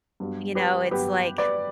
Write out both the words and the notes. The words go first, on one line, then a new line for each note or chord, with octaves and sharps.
you know, it's like
G2 F#3 B3
G4 B4
G2 F#3 B3 G4 B4
B4 D5